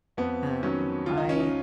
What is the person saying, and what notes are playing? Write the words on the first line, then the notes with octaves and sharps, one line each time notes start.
Um, I
F2 B3
D#3 F#3 C#4
C#2 F4
D#4
C#4
D#4